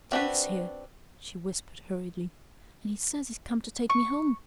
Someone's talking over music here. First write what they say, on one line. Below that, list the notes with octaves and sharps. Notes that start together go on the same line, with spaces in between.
"Dave's here," she whispered hurriedly, "an' he says he's come to take me home."
C4 D4 F#4 B4
C#6